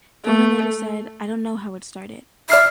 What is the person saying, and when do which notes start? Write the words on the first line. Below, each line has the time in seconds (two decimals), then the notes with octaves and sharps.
Jordan later said, I don't know how it started.
0.25 A3
2.50 D5 E5 F6 C7